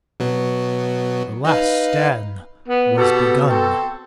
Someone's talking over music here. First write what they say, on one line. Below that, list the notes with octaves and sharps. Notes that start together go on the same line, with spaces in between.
The last stand was begun.
B2 F#3 B3
D#4 B4 F5
B3
B2 B3 G4 A4
C4 F#4 A4